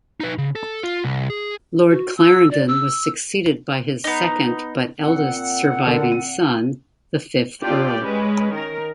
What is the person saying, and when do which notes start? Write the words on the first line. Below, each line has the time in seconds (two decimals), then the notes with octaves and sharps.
Lord Clarendon was succeeded by his second but eldest surviving son, the fifth Earl.
0.20 D#4 B4
0.38 C#3
0.55 A4
0.83 F4
1.04 C2
1.30 G#4
1.91 F#4
2.17 E6
2.51 D5
2.68 E6
4.04 B3 D#4
5.02 A#2 C4 F#5
5.86 D3 A#4 A5
6.12 D#7
7.61 D4 F4 G4 D5 G5
7.99 G#3 C#4 B4
8.53 D#3 A#4